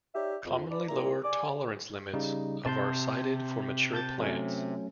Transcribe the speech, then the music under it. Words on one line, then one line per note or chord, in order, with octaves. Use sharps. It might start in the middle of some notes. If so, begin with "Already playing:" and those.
Commonly lower tolerance limits of are cited for mature plants.
D#4 G4 C#5 D5 E5
F2
D4 B4 D5
A#2 G3 G#3 A#3 E4 A#5
D5 G#5 D6
C#3 G3 D#4
C3 A5 C6 G6
A5 G6 A6
F#3 A3 C#4